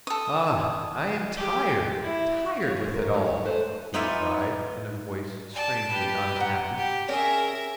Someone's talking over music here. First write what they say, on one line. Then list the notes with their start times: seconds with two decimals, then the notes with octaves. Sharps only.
"Ah, I am tired--tired with it all!" he cried, in a voice strangely unhappy.
0.07 A4 D#6
1.37 G4
2.02 E4
2.61 B3 F4 C#5
2.77 E3 C5
2.94 A#4
3.13 D3 E3 F#3 G#3 A3
3.26 C#5
3.45 A3 A4 B4 C5 G#5
3.94 B3 D#4 F4 D5 E5 G#5
5.53 D5 A5
5.90 G4 B4
6.36 F#5 A#5
6.77 G4
7.08 C#4 G#4 A#4 E5